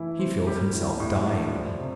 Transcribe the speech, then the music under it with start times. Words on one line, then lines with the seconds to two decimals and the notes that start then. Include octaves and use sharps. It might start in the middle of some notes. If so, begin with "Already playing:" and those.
He feels himself dying.
Already playing: E3 A3 E4
0.19 C4
0.47 G3 G4
0.73 A2
1.00 A2
1.26 D4
1.52 F3
1.79 C3